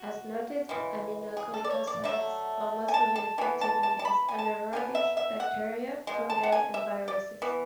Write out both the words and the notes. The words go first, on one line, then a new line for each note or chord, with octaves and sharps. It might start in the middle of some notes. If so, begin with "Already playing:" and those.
As noted, aminoglycosides are mostly ineffective against anaerobic bacteria, fungi, and viruses.
Already playing: F#4
C#3 E3 G#3
G#4
A4
D5
C#5
D5
D3 F#3 A3 E5
G#5
A5
A5
E3 B3 G#5
A5
A5
A5
B5
G#5
A5
D3 F#3 B3 G#5
E5
E5
F#5
B2 G#3
A5
F#5
G#5
E5
D5
E3 B3